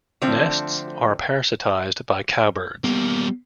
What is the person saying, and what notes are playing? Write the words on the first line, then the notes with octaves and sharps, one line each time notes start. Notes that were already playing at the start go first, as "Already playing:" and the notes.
Nests are parasitized by cowbirds.
D3 F3 A3 C4
G3 A#3 B3